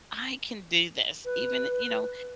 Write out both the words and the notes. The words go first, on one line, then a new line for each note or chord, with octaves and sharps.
I can do this, even" you know,
B4